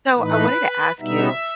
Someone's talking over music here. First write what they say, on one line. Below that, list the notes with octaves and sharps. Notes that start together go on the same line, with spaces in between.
So, I wanted to ask you,
A2 E3 A3 D#4 B4
B2 G3 B3 D#4 E5